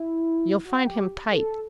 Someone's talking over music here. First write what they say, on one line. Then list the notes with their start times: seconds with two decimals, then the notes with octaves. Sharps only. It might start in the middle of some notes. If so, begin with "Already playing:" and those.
You'll find him tight.
Already playing: E4
0.65 F#4
0.87 G4
1.31 A4